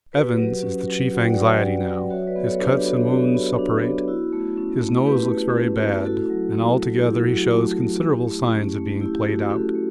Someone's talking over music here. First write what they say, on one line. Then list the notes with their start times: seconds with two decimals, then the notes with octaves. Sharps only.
Evans is the chief anxiety now; his cuts and wounds suppurate, his nose looks very bad, and altogether he shows considerable signs of being played out.
0.13 F#4 G4 B4
0.38 F#3
0.63 C#4
0.88 F#3
1.12 F#4 F#5
1.21 G5
1.29 D5 F#5
1.36 F#3
1.62 C#4
1.86 F#3
2.10 F#4 C#5 E5
2.27 B4 D5
2.36 B3
2.44 A4 C#5
2.60 D4 G4 B4
2.85 B3 F#4 A4
3.09 F#4 G4
3.34 B3
3.59 D4
3.83 B3
4.08 E4 F#4
4.33 A3
4.57 C#4
4.82 A3
5.06 E4 G4 B4
5.31 A3
5.56 C#4
5.80 A3
6.05 E4 F#4 A4
6.30 F#3
6.54 A3
6.79 F#3
7.04 E4 G4
7.28 F#3 F#4
7.53 A3
7.77 F#3
8.02 E4 G4
8.27 A3
8.52 C#4
8.76 A3
9.01 E4 G4
9.14 G4
9.25 A3 F#4
9.38 G4
9.50 C#4 F#4 A4
9.75 A3